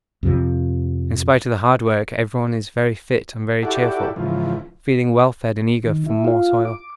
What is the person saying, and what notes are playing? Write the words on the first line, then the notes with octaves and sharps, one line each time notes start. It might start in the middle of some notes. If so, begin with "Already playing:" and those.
In spite of the hard work everyone is very fit and very cheerful, feeling well fed and eager for more toil.
F2 C3 F3
E4 F#4 G4 A4 D5
G#2 C#3 E3 F3
D#3
E4
F4
D6